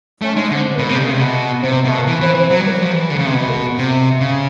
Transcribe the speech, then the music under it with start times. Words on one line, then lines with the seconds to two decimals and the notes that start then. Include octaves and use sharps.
Some see the move to corporatism in two phases.
0.22 A3
0.36 G#3
0.51 D3
0.78 B2
0.89 C3
1.00 C#3
1.11 C3
1.21 B2
1.64 C3
1.85 B2
2.07 E3
2.21 E3
2.35 E3
2.50 F#3
2.60 G3
2.71 F#3
2.82 F3
2.92 E3
3.10 D3
3.17 C#3
3.27 C3
3.35 B2
3.78 C3
4.21 C#3